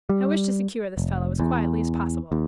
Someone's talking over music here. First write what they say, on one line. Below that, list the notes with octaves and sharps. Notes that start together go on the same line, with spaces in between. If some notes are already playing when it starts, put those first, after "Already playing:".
I wish to secure this fellow as quietly as possible.
G3
F1
E2
D#2